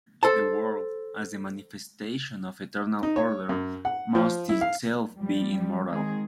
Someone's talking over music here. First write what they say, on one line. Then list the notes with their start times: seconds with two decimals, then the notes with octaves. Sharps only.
The world, as the manifestation of eternal order, must itself be immortal.
0.23 A4 C5 A5
3.03 D#4
3.16 C#5
3.49 F#2
3.85 F#5
4.15 F3
4.49 E4
4.61 F5
5.17 F3 G3
5.87 D#3 G#3 C4 G#4